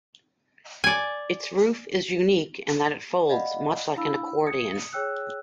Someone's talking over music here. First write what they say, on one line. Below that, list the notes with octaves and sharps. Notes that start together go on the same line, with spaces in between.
Its roof is unique in that it folds much like an accordion.
D5 G#5
D5 D#5 F5 F#5 B5
D4 E4 F5 B5 E6
D#6 G#6 C#7
G#4 C#5 G5 E6 F#6